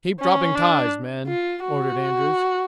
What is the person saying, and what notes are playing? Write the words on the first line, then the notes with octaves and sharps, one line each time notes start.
"Keep dropping ties, men," ordered Andrews.
C#4
D4
F4
F#4